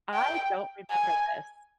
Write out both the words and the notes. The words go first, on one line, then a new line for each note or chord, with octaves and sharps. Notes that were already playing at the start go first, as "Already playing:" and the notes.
I don't remember this
G5
G#5